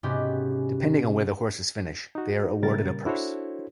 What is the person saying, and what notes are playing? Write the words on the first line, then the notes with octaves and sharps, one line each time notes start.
Depending on where the horses finish, they are awarded a purse.
G#2 C3 B3 C#4 F#4 G4
D#4 F#4
A#2 C#3 G3 A#4 A6
D4 E4 F#4 A4 C5 C#5